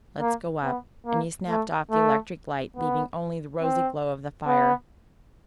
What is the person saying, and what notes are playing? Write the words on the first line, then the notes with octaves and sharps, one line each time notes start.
"Let's go up." And he snapped off the electric light, leaving only the rosy glow of the fire.
A#3
B3
A#3
A3
A3
B3
C4
B3